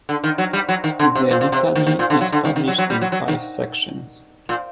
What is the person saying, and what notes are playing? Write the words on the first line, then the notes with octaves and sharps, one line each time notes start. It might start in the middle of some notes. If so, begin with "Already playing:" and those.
The litany is published in five sections.
D3
D#3
F#3
G3
F#3
D#3
D3
C3
A#2
A#2
C3
D#3
D#3
A#2
D3
F#3
D3
D#3
D#3
F#3
F#3
G3
F#3
F#3
D#3
A#2